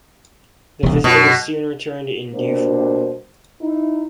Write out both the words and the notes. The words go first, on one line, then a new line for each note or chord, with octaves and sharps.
The visit was soon returned in due form.
E1 C2
F#2 B2
B2 G3 A#3 D4 C5
D#4 E4